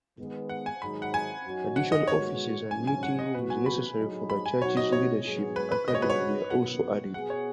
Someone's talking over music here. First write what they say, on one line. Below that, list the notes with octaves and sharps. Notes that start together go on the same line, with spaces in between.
Additional offices and meeting rooms necessary for the church's Leadership Academy were also added.
D#3 G#3 B3
F#5
G#5
G#2 D#3 F#3 D#4 G#4 B5
F#5
G#5
F#2 F#3 D#4 F#4
F#5
D#5
G#2 G#3 B3 F#4 C#5
G#2 F#3 C#4 G#5
G#5
F#5
D#5
F#3 B3 F#4 B4
G#5
B5
F#3 D#4 G#4
B5
G#5
F#3 D#4 F#4 C#5
D#5
C#5
G#2 F#3 B3 G#4
B4
B4
C#3 G#3 C#4 F#4 D#5
C#5
B4
C#5
F#2 D#3 B3 F#5
B2 B3 G#4 F#5
C#5